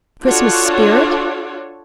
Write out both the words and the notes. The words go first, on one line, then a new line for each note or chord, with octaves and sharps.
Christmas spirit?
D4 F4 F#4 A4 C#5